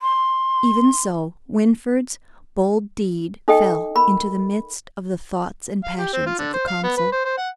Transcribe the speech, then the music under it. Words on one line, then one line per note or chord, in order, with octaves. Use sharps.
Even so Winfried's bold deed fell into the midst of the thoughts and passions of the council.
C6
D#4 A4 D#5 G5
A#4 B5
F5
G4
C4
F4
D3
C5
F5
B3
B4
C5
C5
F#5